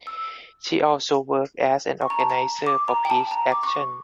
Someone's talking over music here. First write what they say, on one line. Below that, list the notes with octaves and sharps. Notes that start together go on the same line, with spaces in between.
She also worked as an organizer for Peace Action.
E6
C#6
A#5
A5
A#5
D6
A#5
G5
A5
A#5
D6
C#6